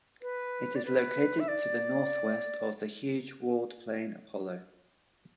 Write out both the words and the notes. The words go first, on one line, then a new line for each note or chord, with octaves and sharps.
It is located to the northwest of the huge walled plain Apollo.
B4
D5
B4
E5
D5